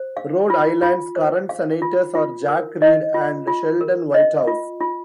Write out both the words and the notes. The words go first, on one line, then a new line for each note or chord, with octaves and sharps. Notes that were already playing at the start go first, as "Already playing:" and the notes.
Rhode Island's current senators are Jack Reed and Sheldon Whitehouse.
Already playing: C5
F5
F4
F4
C5
F5
F4
F4
A#4
D#5
F4
F4
A#4
D#5
F4
F4